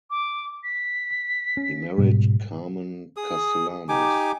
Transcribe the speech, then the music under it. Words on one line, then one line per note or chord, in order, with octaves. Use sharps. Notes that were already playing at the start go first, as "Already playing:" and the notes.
He married Carmen Castellanos.
D6
B6
C#4
G#2 B2 G3
G#4 D#6
D#4 G4 G#5 D6